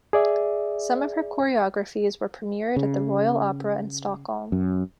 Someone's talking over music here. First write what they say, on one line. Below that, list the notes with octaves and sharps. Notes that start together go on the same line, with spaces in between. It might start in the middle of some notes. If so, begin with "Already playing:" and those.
Some of her choreographies were premiered at the Royal Opera in Stockholm.
G#4 D5 E5
C#3
F#2